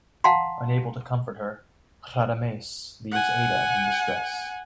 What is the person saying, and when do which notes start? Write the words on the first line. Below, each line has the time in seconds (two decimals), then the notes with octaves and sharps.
Unable to comfort her, Radames leaves Aida in distress.
0.24 F5 F#5 A5 A#5 C6
3.12 F#5 G#5